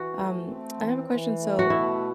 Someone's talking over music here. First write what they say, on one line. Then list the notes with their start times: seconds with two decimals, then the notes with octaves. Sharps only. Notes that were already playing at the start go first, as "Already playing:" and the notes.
Um, I have a question. So,
Already playing: E3 F#4
0.16 A3
0.47 C4
0.78 E3
1.09 E3
1.39 A3
1.59 F#4
1.70 B2 E4